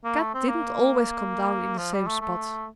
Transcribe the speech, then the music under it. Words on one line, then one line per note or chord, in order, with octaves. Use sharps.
Kat didn't always come down in the same spot.
A#3
A3
C4
A#3
F3
G3
A3
A3